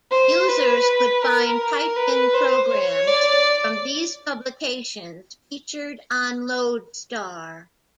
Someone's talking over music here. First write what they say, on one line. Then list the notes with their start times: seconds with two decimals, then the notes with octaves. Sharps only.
Users could find type-in programs from these publications featured on "Loadstar".
0.11 C5
0.48 B4
1.22 A#4
1.96 B4
2.34 C5
2.70 C#5
3.08 D5